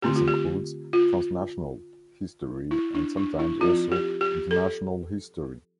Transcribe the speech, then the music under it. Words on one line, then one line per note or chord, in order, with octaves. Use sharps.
This includes "transnational" history and sometimes also international history.
D3 A3 C4 G4
F4
G4
F4
E4
D4
D4
E4
F3 C4 F4
G4
G4
A4